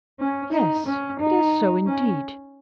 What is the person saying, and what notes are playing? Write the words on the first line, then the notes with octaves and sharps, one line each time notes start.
'Yes; it is so, indeed.
C#4
D#4
C#4
D#4
C#4